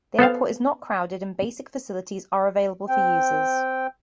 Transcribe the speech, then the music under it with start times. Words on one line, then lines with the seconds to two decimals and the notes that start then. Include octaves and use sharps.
The airport is not crowded and basic facilities are available for users.
0.19 B3 A4 C5 F5
2.88 C4 G5